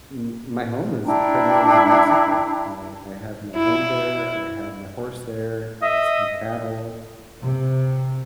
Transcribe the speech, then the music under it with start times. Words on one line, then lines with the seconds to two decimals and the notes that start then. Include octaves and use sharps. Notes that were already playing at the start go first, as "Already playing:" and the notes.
m my home is primarily in Mexico. I I have my home there, I have my horse there, some cattle,
1.04 D4 E4 G5 A#5
3.56 E4
5.83 D#5 E5
7.43 C3